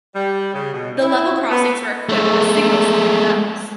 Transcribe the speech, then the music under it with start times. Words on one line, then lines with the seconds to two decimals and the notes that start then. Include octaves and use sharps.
The level crossings were equipped with signals to ring bells.
0.14 G3
0.53 C#3
0.72 B2
1.00 E4
1.50 B3
2.09 G#3 A3